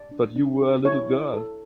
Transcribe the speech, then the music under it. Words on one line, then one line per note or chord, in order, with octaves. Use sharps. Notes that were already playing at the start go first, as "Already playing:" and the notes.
But you were a little girl.
Already playing: D5
D4
D4
G4
E4 C#5
E4
A4